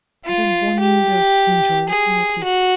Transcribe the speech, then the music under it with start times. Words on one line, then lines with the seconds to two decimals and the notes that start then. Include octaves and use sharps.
I don't wonder you enjoy looking at it.
0.25 F4
0.79 G4
1.89 G#4
2.44 F#4